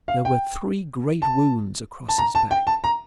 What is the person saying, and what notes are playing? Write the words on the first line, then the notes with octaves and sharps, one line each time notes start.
There were three great wounds across his back.
F5
G5
A5
A5
A#5
A5
G5
A5
A#5